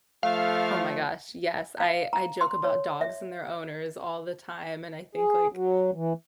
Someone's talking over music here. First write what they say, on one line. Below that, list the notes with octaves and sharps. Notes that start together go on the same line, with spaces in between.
Oh, my gosh, yes, I I joke about dogs and their owners all the time, and I think, like,
F3 A3 F5
F5
A#5
C6
C#5
E5
G#4
F#3
E3